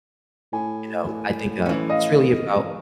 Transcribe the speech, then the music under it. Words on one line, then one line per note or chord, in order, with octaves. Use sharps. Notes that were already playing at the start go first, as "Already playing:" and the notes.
uh, you know, I think, uh, it's really about,
A2 G#5
E3 C#4
D#5 F5